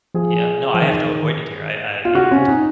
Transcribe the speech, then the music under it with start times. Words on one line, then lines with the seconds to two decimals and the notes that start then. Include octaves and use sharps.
Yeah, no, I have to avoid it here. I I mean, t
0.14 F3 G#4
0.74 F3
0.81 D#3
2.05 F4
2.14 C#3 F#4
2.31 C#4
2.38 C3
2.48 D#4